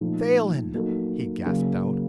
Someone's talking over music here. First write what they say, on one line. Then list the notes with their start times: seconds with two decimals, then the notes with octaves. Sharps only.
"Phelan!" he gasped out.
0.01 A#2 F3 A3 D#4
0.73 F#3 A#3 D#4 F#4 A4
1.46 C#3 F#3 A#3